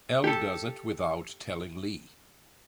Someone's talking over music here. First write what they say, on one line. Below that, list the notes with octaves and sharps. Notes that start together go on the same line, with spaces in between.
Elle does it without telling Lee.
G4 A4